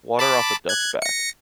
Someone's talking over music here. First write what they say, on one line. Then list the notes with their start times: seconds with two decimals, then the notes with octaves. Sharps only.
Water off a duck’s back.
0.19 A5 B5 D6
0.69 F#6 G#6
1.02 A#6 C#7